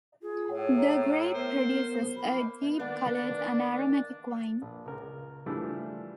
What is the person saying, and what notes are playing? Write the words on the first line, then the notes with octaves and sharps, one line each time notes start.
The grape produces a deep-colored and aromatic wine.
F4 G#4
A2 C#5
A#5
B3 A#4 C5
A#3 B5
D#3 A#3 B3 D4 D5
A#1
C#2 A#4
E3 F3 G3 A3 D4 E4